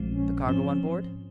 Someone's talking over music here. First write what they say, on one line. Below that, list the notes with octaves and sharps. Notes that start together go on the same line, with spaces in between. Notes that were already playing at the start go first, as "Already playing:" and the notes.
"The cargo on board?"
Already playing: A#1 A#2 F3 G#3 C4
C#4
G#2 F3 C4 C#4